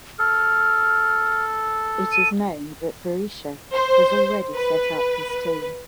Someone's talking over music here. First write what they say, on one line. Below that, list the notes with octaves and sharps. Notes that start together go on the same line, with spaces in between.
It is known that Berisha has already setup his team.
A4 F6
D#7
C5
B4